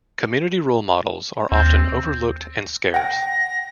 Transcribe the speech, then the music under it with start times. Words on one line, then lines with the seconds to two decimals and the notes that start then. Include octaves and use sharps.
Community role models are often overlooked and scarce.
1.52 D#2 C4
2.94 F#5 G5 A#6